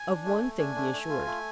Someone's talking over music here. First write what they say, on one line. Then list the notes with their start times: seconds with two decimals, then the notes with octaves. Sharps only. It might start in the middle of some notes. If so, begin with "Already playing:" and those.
Of one thing be assured.
Already playing: G#5
0.08 D4
0.25 A3
0.42 A3
0.59 D4 G#5
0.75 A3
0.93 A3
1.10 F4
1.27 A3